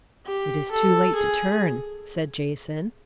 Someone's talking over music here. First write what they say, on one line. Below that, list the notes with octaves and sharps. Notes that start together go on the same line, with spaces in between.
"It is too late to turn," said Jason.
G4
A4
G#4